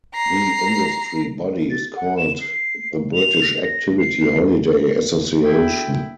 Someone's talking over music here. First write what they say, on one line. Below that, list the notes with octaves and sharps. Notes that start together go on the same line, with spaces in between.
The industry body is called the British Activity Holiday Association.
A#5 C7
A6
F#5
E7
C7
F7
A#6
C7
D4 E4 F#4 A4 G5